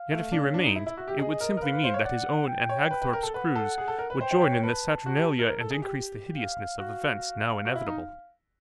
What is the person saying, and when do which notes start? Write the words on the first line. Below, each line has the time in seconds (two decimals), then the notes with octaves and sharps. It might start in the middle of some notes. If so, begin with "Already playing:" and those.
Yet if he remained, it would simply mean that his own and Hagthorpe's crews would join in the saturnalia and increase the hideousness of events now inevitable.
Already playing: F5
0.11 A3
0.32 D4
0.43 C#4
0.54 D4
0.65 D#4
0.76 E4 E5
0.87 E4
0.97 F#4
1.08 G4
1.19 G#4 D#5
1.40 A#4
1.57 A#4
1.62 B4 F5
1.73 B4
1.84 C5
1.94 C#5
2.05 D5 F#5
2.48 G5
2.69 C#5
2.91 B4
3.02 B4
3.13 A#4
3.23 A4
3.34 B4 F#5
3.55 A4
3.78 G#4
3.88 A4
3.99 A#4
4.10 B4
4.20 C5 G5
4.31 C5
4.41 C#5
4.53 C#5
4.63 B4 A5
5.06 F#4
5.17 G4
5.39 A#4
5.50 A#4
5.61 A4
5.71 G#4
5.82 G4
6.36 F5
6.78 F#4 F5
7.65 F#4
7.75 E4
7.87 D#4